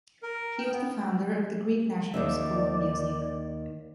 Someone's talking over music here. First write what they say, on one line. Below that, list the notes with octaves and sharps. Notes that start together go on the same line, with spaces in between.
He was the founder of the Greek National School of Music.
A#4
G5
B3
D#2 D#3 D5 E5